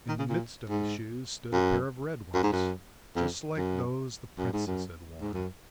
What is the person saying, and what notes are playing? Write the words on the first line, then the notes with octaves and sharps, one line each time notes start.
In the midst of the shoes stood a pair of red ones, just like those the princess had worn.
D#3
C#3
A#2
G#2
F#2
F#2
G#2
F#2
F2
F#2
F#2
G#2
F#2
G#2
F#2